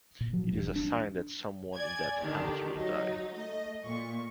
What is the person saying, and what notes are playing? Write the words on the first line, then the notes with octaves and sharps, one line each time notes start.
It is a sign that someone in that house will die.
A#2
F3 F#3
D#1 G2 E3
D4
D5 G#5 G#6
D3 D#3 D4 G4
F#3 D#4
A3 D#5
A#2 C#6